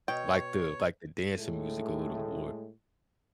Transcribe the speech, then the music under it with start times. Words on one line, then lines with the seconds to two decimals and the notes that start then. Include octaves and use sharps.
Like the like the dancing music a little more.
0.08 B2 C#5 G5
1.39 A2 G#3 A3